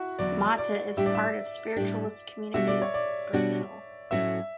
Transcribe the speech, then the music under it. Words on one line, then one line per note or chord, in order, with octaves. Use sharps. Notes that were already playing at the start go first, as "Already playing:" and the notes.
Motta is part of spiritualist community of Brazil.
Already playing: E4 F#4
E2 D3 F#3 D5
D5
A2 G3 D4 G4 E5
D5
E5
A2 G3 D4 G4
B2 G3 D4 F#4 E5
D5
C#5
D5
B2 G3 D4 F#4
A2 F#3 A3 C#4 F#4 E5